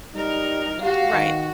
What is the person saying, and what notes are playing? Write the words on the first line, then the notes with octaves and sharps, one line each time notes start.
M Right.
G3 D#4 A#4
F#4 G4 F5
D#3